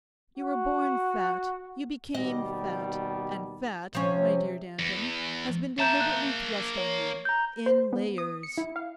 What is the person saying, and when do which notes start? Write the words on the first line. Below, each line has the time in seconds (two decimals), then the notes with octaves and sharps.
You were born fat; you became fat; and fat, my dear Danton, has been deliberately thrust on you--in layers!
0.38 F#4
2.15 D#2 B2 G3 D#5
3.95 C3 F3 C#4
4.79 E2
5.79 A#3 E5 A5 A#5 G6
6.00 F#6
6.77 C#5
7.25 A#5 G6
7.66 C5
7.93 B3
8.18 D#6
8.43 C#7
8.58 E4
8.76 F5